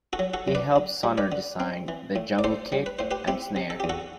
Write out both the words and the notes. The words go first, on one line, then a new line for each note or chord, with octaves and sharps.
He helped Sonor design the Jungle kit and snare.
F#4 A4
F#3
F#4 A4
F#2
B4 D5
D3
G3
B4 D5
D3
C4
E3
A2
D5
A2 A4 C5
G3
B4
A2 C5
G4 B4
C4 E4 G4
C3
A4
E2 G4
F#4 A4